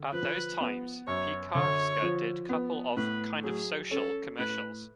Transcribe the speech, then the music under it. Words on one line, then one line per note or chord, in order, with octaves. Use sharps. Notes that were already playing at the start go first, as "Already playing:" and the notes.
At those times, Piekarska did couple of "kind-of social commercials".
Already playing: D3
F3 B4
B3
F#2 C#5
D3 C#5
F3
B3
A2 B4
F#3 G#4
C#4 A4
A2 B4